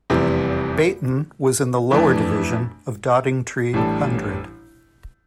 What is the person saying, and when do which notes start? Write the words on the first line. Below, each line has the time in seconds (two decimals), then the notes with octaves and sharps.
Bayton was in the lower division of Doddingtree Hundred.
0.10 F1 E2 C3 E3 G3
1.91 F2 E3 A3 D4
3.73 A1 A2 G3 D4 A4